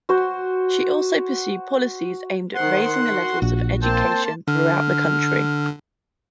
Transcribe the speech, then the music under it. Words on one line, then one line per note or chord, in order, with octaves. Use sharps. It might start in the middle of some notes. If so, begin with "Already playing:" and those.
She also pursued policies aimed at raising the levels of education throughout the country.
F#4 C5
D#3 C5 F#5 C6
F#4
A#1
A#3 C4 C5 A5 C6
D3 F6